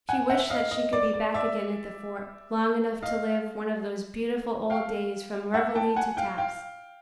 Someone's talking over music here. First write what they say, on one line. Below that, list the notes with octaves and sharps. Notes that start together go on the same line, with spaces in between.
She wished that she could be back again at the fort, long enough to live one of those beautiful old days from reveille to taps.
F#5 G#5
E5 F#5
D#5 F5
D#5
D5
D5
D5 E5
D#5 F5
F5 G5
E5 F#5
G5 A5
F#5 G#5
F5 G5
F5 G5